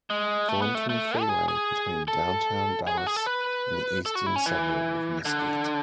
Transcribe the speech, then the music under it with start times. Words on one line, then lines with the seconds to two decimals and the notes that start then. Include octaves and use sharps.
Thornton Freeway between downtown Dallas and the eastern suburb of Mesquite.
0.10 G#3
0.48 A3
0.62 B3
0.75 A3
0.89 A3
1.20 A4
1.29 G#4
1.48 G#4
2.08 A4
2.87 G#4
2.98 F#4
3.07 G#4
3.16 A4
3.26 B4
4.06 A4
4.15 F#4
4.26 E4
4.36 C#4
4.46 E3
5.25 D3